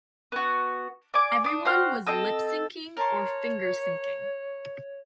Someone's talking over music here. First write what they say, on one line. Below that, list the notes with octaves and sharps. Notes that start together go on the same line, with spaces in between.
"Everyone was lip synching or finger-synching."
B3 F#4
D5 G#5 D6
D4 D#6
F#4 C5 G5 F6
C4 A4 D#5 E6
A#4 C#5 A5 C6